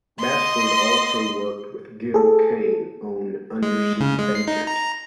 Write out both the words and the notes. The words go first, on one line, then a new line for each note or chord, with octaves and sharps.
Bassford also worked with Gil Kane on "Undersea Agent".
D#5 C6
G#4 A4
G#3
C#3
G#3
C7
D#4
A#5